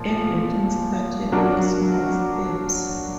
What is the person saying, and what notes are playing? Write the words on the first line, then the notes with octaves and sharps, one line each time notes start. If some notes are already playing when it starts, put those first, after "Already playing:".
Everything started in small steps.
Already playing: A#2 F3
F#3 D4 F#4 A#4